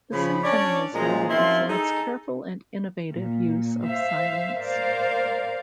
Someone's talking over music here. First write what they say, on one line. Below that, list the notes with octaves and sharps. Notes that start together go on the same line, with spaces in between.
The symphony is notable for its careful and innovative use of silence.
C#3 F3 B5
C#4 D4 C#5 D5
F#2 A#2 F3 G#3 G#4 A#5
F#2 F3 C4 E4 F4 C6
D#4 G#4 A4
A#2
C5 E5 F5
A#4 C5 D5 F5